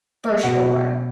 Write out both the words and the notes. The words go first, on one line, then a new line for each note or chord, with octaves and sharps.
For sure.
B2 F#4